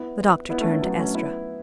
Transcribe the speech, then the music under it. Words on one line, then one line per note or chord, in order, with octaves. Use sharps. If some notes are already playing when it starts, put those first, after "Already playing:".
The doctor turned to Estra.
Already playing: B3 E4
B3 E4
A3 C#4
A3 C#4
F#3 B3
A3 C#4
B3 E4